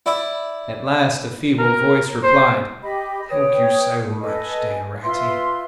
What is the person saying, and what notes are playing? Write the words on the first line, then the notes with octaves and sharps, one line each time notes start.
At last a feeble voice replied, 'Thank you so much, dear Ratty!
E4 D5 E5
A#4
C5
G4 D#5 B5
B4 C#5 G5 D#6
A4 B4 D#5 G#5
F4 B4 E5 C6